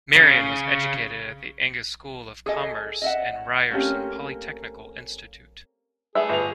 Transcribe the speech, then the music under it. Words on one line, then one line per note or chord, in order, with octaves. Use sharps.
Marion was educated at the Angus School of Commerce and Ryerson Polytechnical Institute.
C#3
G#4 A4 D#5
D#5 E5 F#5
A3 A#3 C4 C#4 G4
A3 B3 G#4 E5
G1 F7